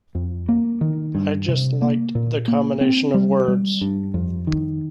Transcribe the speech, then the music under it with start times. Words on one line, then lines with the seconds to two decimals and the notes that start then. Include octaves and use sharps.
I just liked the combination of words...
0.15 F2
0.49 A#3
0.81 D#3
1.15 G2
1.48 C3
1.82 A#3
2.15 A#2
2.48 A#3
2.81 C4
3.14 G3
3.48 G3
3.81 G2
4.14 F2
4.47 D#3